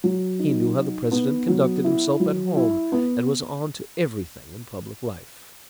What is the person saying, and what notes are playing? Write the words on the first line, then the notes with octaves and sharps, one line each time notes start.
He knew how the President conducted himself at home, and was 'on to everything' in public life.
F#3
D#4
D#4
B3
F#3
E4
F#3
E4
B3